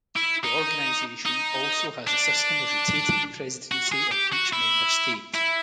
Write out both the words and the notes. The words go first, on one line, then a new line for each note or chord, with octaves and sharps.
The organisation also has a system of rotating presidency of each Member State.
E4
D#4
D#4
D4
F#4
G#4
G4
F#4
E4
E4